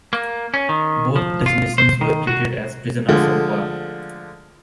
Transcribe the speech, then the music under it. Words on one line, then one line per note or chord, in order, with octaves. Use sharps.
Both designations were treated as Prisoners of War.
A#3
C#4
D#3
F3
F4
C5
D#3
F#4
D3 F3 G#3 A3